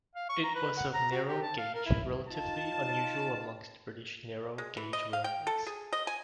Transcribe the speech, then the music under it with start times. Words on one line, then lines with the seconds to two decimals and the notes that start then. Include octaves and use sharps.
It was of narrow gauge, relatively unusual amongst British narrow gauge railways.
0.16 F5
0.29 C#6
0.43 A#5
0.55 B4
0.77 F#5
0.94 A#5
1.11 F#4
1.28 G4
1.43 A5
1.58 F5
1.75 A#4
1.86 E4
2.29 D#4 F4 A5
4.58 G#3
4.77 E3
4.93 D#5
5.13 F5
5.24 G5
5.47 A4
5.67 G#4
5.93 D#5
6.07 G#5